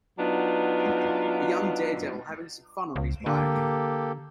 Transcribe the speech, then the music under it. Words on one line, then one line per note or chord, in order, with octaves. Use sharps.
A young daredevil having some fun on his bike.
F#3 B3 D4 D#4 F4
C#2
D3 A#3 G4 A4